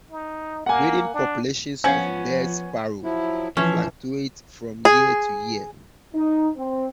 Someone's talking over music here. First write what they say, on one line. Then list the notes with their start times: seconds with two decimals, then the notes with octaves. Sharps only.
Breeding populations of Baird's sparrow fluctuate from year to year.
0.11 D#4
0.66 A#3 F#5 G#5
1.14 D4
1.84 F3 B3 C#4 C5 C#5 F5 G#5 G#6
3.04 F3 F#3 E4
3.57 E3 F3 C#4 E5
4.85 G#4
6.14 D#4
6.57 C4